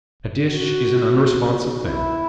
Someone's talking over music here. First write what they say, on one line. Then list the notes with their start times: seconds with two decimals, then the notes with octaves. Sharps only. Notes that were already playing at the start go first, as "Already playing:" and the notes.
A dish is an unresponsive thing.
0.48 F#4
1.37 B1 B2 F#3
1.83 E4